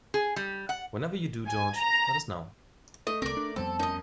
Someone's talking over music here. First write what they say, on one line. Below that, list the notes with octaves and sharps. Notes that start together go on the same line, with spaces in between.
Whenever you do, George, let us know.
G#4
G3
F#5
G#5
A#5
A3 D#5
C2 C4 A#4 D5
D4
F2 G3 B3 C4 A4
F#2 D#4 D#5